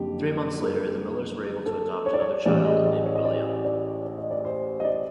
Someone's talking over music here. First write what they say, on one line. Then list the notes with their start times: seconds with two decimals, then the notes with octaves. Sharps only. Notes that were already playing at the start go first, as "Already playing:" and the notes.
Three months later, the Millers were able to adopt another child, named William.
Already playing: F#1 F2 D3 G4
0.63 A#4
0.74 A4
0.86 G#4
1.66 A4
2.06 C#5
2.13 D5
2.20 C#5
2.45 A1 A2 E3 G#3 D5
2.65 D#5
2.85 D5
3.05 C#5
3.15 D#5
3.25 D5
3.65 D5
4.05 D5
4.18 D#5
4.31 D5
4.45 C5
4.80 D#5
4.84 D5